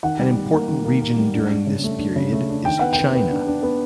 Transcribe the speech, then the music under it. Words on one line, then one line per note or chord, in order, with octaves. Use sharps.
An important region during this period is China.
D#3 F#5
G3
G3
A#3
D#3
A#3
A#3
G3
D4
D4
C#3
A3
D4
C#3
A3
D4
D#3 G5
B3 F#5
G5
B3
B3
D4
D4
B3